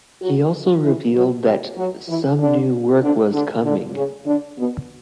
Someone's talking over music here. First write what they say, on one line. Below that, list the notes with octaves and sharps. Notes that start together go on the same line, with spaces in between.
He also revealed that "some new work was coming".
F#3 F#4
E3 E4
F#3 F#4
G3 G4
F#3 F#4
E3 E4
D3 D4
D3 D4
D3 D4
D3 D4
C#3 C#4
D3 D4
B2 B3